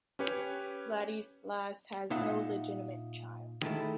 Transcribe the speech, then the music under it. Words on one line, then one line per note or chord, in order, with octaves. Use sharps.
Vladislas has no legitimate child.
C#4 G4 B4 C#5
A#2 D#4 E5 F#5
D#3 G#3 A3 E4